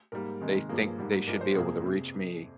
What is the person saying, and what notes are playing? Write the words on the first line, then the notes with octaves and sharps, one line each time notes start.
they think they should be able to reach me
G#2 G3 A#3 A#4
C3 D#3 G#3
G2 F3 A#3 G#4
G#2 G3 A#3
G2 F3 G#3 A#4
C5
F2 C3 F3 A#3 G#4
C3